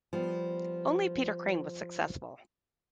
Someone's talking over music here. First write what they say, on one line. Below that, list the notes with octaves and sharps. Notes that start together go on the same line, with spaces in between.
Only Peter Craine was successful.
F3 G3 B3